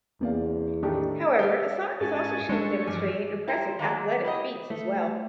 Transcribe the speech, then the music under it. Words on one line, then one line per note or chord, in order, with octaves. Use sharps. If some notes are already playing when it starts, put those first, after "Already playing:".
However, Asok is also shown demonstrating impressive athletic feats as well.
E2 C3 A#3 B3 D5 F5
A2 D#3 A3 D4 G4
G4 E5 F5
G#2 C#4 G#5 A5
G#3 A3 D4 C#5 C#6
G2 E3 F3 G#5 D6
E4 G4 A#4 C5
D#3 F#3 A#3 D5
E4 G4 D#5
A3